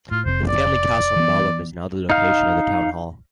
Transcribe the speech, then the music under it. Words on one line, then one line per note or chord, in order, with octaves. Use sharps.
The family castle in Ballum is now the location of the town hall.
A2 F4
F1 A2 C4 C5
D5
E3 B3
D#4 F5